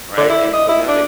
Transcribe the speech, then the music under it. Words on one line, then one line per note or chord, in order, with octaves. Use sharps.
right, and so now they
D3
E4
D#5
E4
D4